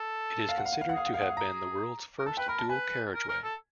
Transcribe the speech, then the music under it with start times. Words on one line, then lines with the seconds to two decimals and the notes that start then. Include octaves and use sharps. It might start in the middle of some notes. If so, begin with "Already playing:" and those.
It is considered to have been the world's first dual carriageway.
Already playing: A4
0.49 F5
0.58 F#5
0.65 F5
0.73 F#5
0.81 F5
0.89 F#5
0.93 G#4 F5
1.06 F#5
1.14 G#4 F5
1.21 F#5
1.29 F5
1.37 A#5
2.19 A#4
2.26 A4 A5
2.37 B4 G5
2.48 A#4 B5
2.59 A5
2.69 B4 G#5
3.15 A#4
3.29 A#4
3.44 A4